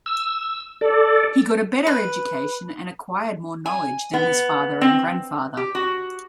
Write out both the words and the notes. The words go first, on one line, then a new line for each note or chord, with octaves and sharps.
He got a better education and acquired more knowledge than his father and grandfather.
E6
A4 D5
B4
G#5
B3
C4
G4
F#4